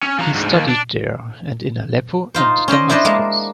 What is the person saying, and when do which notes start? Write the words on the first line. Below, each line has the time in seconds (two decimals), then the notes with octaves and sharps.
He studied there and in Aleppo and Damascus.
0.03 C#4
0.19 F3 A#5
0.34 D2 G#2
0.51 D#2
0.69 D4
2.34 D#4 F4 C5
2.68 C#4 C5 D5 D#5
2.89 D4 E4 C5 D5 D#5 A5
3.05 G#3 A#3 A5